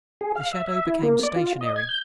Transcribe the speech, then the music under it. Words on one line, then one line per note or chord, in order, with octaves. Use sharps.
The shadow became stationary.
G#4
F5
E5
E5
E4
A#3
D5
F4
D#5
G#6
G6